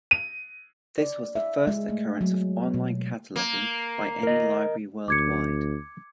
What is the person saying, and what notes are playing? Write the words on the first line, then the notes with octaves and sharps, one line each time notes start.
This was the first occurrence of online cataloging by any library worldwide.
D#7
D5
E5
G#3
A3
F#3
B2
A#3
A#4 D#5
D2 D6 G#6 C#7